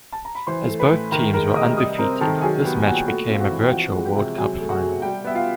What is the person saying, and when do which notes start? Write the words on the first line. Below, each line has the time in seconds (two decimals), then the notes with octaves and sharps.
As both teams were undefeated this match became a virtual World Cup final.
0.12 A5
0.25 A#5
0.35 B5
0.47 E3 C5 C6
0.69 A3
0.79 B4 B5
0.91 A2
1.12 D#3 A#4 A#5
1.33 G#3 A#4 A#5
1.55 C3 D#5 D#6
1.77 G3 D#5 D#6
1.98 C4 A#4 A#5
2.21 D#3 A4 A5
2.42 F#3 G#4 G#5
2.64 B3 G4 G5
2.85 A#2 F#4 F#5
3.07 A3 F#4 F#5
3.30 C4 F5
3.40 F#4 F#5
3.51 E3
3.62 G5
3.72 F3 F#4 F#5
3.95 G#3
4.05 G4 G5
4.16 C3
4.38 F#3 G#4 G#5
4.60 A3
4.70 F#4 F#5
4.81 B2
5.02 G3 G4 G5
5.24 B3 E5
5.35 F4 F5